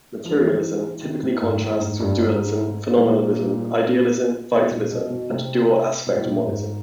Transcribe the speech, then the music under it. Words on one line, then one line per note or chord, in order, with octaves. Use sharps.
Materialism typically contrasts with dualism, phenomenalism, idealism, vitalism, and dual-aspect monism.
F3
E3
D#3
E3
D#3
A2
G#2
A2
G#2
G2
G#2
A#2
B2
A#2
B2
B2
C3
B2
A2
A#2
G#2